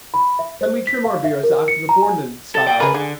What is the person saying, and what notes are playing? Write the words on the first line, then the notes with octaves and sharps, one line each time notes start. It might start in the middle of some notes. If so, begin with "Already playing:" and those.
Can we trim our beards after the foreign style?
B5
E5
C5
B6
F5
E5
A#4
C#7
A#5
G#5
A4
D5 G5
C#3 G#4 A#4 B4
D3 G#4